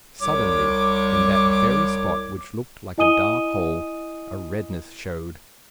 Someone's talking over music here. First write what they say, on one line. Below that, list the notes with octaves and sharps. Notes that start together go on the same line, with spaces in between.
Suddenly, in that very spot which looked like a dark hole, a redness showed.
C2 C#5 D6
E4 D#5 G#5 D#6 D#7 G7